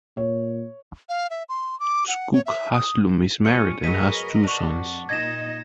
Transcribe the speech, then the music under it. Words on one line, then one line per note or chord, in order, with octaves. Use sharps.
Skoog Haslum is married and has two sons.
A#2 C#5
F5
E5
C6
D6
F#5
C#5
E5
D#6
F3 G3 C#4 F4 C#7 D#7
F#3 G#3 A#4 B4 D#5 B6 D#7
D4 F#4
F2
A#2 D#4 D#5 G#6 A#6 E7